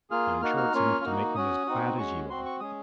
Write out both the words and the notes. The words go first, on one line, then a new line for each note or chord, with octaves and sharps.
I'm sure it's enough to make me as bad as you are.
A#3 F4 G#4 F6
A#3 D#4 F#4 F6
F6
A#3 C#4 F4
A#3 D#4 F#4
C#4 F#4 D#6
C4 D#4 F#4
G#3 C#4 F#4 C#6
C4 F#4 C6
C#6
G#3 C#4 G#4 D#6